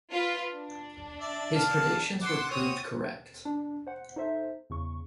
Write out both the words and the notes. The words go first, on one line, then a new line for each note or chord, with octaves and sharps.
His predictions were proved correct.
F4 B4
D4
D5 E5
D5 F5 A5
F#5 C6 D6 E6
C4 F#4 C#5 D#6
D4
C5 F#5
D#4 A4 C5 E5
E2 C#3 C#6